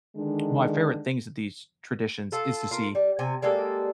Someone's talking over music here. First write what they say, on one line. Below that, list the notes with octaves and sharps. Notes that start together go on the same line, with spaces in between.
My favorite things with these traditions is to see,
D3 D#3 G#3 D4
F4 A4
F4 A#4
G3
C3 G#5
G3 G#3 A#3 A4